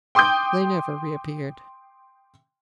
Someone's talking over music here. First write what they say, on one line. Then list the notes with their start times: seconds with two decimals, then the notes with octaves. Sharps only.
They never reappeared.
0.15 G5 C6 D6 D#6 G6